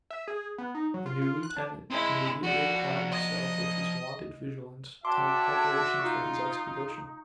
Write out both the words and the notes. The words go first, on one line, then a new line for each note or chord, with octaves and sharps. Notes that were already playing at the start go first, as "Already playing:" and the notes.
The new lieutenant immediately applied himself with his wonted vigilance to make preparations for his expedition.
E5
G#4
B3
D#4
F#3
F4
F4
F#6
D4
G#3 C4 E4 D#5
F3 F#4 D5
D#5
F#4 C#5 D5 E5 G5 A5 C6 D6
D#4 F4 C#6